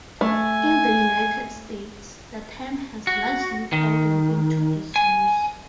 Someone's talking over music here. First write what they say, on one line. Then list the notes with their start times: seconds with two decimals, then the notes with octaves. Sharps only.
In the United States, the term has largely fallen into disuse.
0.21 A3 G#5
3.07 F#4
3.73 D#3
4.96 G#5